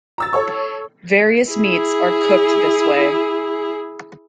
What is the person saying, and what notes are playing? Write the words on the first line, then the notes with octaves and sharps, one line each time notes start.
Various meats are cooked this way.
A#5 E6 A6
A4 C#5 C#6
E4 G#4